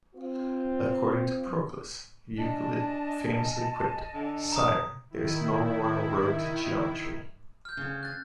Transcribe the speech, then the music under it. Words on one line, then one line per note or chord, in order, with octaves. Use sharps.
According to Proclus Euclid famously quipped: Sire, there is no Royal Road to geometry.
C4 F4
D4 D#5 G#5 A5
D3
A#5 D#6
D#3 E4
F6 G6
D2 C#3
F#6 A6